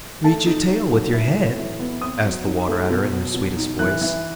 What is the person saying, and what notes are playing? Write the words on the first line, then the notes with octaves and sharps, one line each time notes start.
"Reach your tail with your head?" asked the Water-Adder in her sweetest voice.
A3 A5
D#4
D#4
F#3
E4
A2
E3
B3
C4 D#6
F#3
D#4
A3
B2
F#3
B2
D#4
E3 F#6
E3